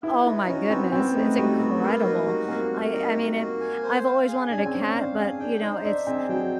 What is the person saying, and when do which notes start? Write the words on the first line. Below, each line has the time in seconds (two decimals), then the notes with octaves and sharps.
oh my goodness, it's incredible. I I mean, it I've always wanted a cat but, you know, it's,
0.03 B3 E4
0.26 D#4 E4
0.48 C#4 F#4
0.70 B3 C4
0.92 B3 C4
1.15 A3 D#4
1.37 G3 F#4
1.60 G3 B3
1.82 A#3
2.04 F#3 D#4
2.26 G3 F#4
2.48 A#3 C4
2.72 A#3
2.94 D#4
3.16 F#4
3.38 A#3
3.60 G#5
3.83 C5
4.06 F5
4.28 G#4
4.50 D4 G#5
4.58 C#4
4.66 C4
4.73 C#4 C5
4.95 D4 F5
5.17 G#4
5.39 D4 G5
5.61 D#4 C5
5.84 D4 E5
6.07 C4 G#4
6.29 F#3 G5